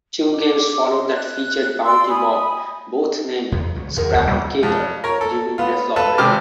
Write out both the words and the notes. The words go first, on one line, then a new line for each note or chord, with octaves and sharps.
Two games followed that featured Bounty Bob, both named "Scraper Caper" during development.
D6
C6
F#6
D5 C6 E6
G#5 B5 D#6
E2
C#2 F#3
E2 D#3 F#3 G#4 A#4 F#5
D2
A#1 A#2 G3
F2
A#4 C#5
A4
B3 F4
F4 A4 B4 A5
G#1 C3 G5 D6 F6